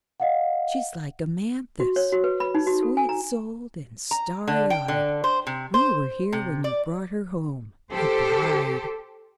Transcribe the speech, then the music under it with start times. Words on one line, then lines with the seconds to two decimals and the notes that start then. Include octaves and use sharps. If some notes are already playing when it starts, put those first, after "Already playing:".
She's like Amanthis,--sweet-souled and starry-eyed; we were here when you brought her home, a bride.
0.20 D#5 F5 F#5
1.80 F#4
1.96 C#5
2.13 F#4
2.24 B4
2.40 B5
2.55 D#4
2.67 F#4
2.83 A4
2.97 G#5
3.09 A#5
4.11 A#5
4.48 D3
4.70 G5
4.88 D3
5.24 C5
5.47 C3
5.74 C5
6.33 C3
6.64 D5
7.93 G4 A4 C5